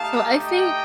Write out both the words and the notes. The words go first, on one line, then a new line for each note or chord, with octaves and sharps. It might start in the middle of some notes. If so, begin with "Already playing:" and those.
so I think
Already playing: A3 D#4 G4 F5 A5
D#5 G5